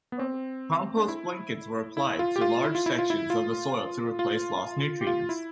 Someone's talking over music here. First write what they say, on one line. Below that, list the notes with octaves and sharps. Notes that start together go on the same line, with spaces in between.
Compost blankets were applied to large sections of the soil to replace lost nutrients.
B3
C4
D4
E4
E4
F4
G4
F4
E4
F4
E4
F4
E4
F4
F4
G4
F4
E4